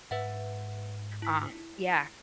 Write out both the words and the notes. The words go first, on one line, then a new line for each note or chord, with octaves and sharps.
um yeah.
G#2 B4 E5 F#5
E4 B6